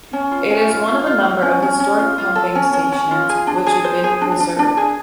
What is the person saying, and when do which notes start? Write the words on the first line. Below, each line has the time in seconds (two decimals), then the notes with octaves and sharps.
It is one of a number of historic pumping stations which have been preserved.
0.13 C#4
0.31 F4
0.50 C#4
0.68 F4
0.88 F4
1.07 F4
1.25 F4
1.43 C#4
1.62 C#4
1.80 C#4
1.99 F4
2.18 F4
2.36 A4
2.55 C#4
2.73 C#4
2.92 C#4
3.11 F4
3.29 G#4
3.47 D4
3.66 G#4
3.84 C5
4.04 G#4
4.21 D4
4.40 D4
4.59 D4
4.77 G#4